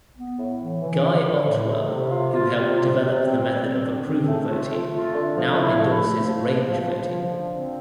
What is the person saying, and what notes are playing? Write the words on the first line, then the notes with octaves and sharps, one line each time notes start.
Guy Ottewell, who helped develop the method of approval voting, now endorses range voting.
B3
A2
E3
E3
E3
A2
A2
A2
C3
F4
F4
C3
C3
C3
C4
G3
C4
D3
C4
A3
F4
A3
F4
D3
F3
E4
A3
A3
F3
F3
F3
F3
F3
D3
C4